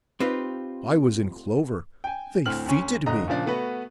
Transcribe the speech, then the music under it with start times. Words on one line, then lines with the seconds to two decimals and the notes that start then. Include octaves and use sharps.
I was in clover. They fêted me.
0.20 C4 D#4 F4 G4 B4
2.04 G5 G#5
2.46 D2 A2 C4 F6 F#7
2.66 D2 C#4
3.06 G1 D3 D#5 A#5
3.28 A#2 C#3 F3 D4
3.46 A3 B3 F#4 B4